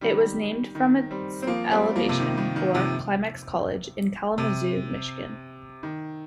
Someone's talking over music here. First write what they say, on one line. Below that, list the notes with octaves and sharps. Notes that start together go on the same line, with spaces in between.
It was named from its elevation, or Climax College in Kalamazoo, Michigan.
D#3 G3
D#3
G3 C4
C4
F3 A#3
G3 C4
F3 A#3
C3
D#3
D#3
D#3
C3 F3
C3
D#3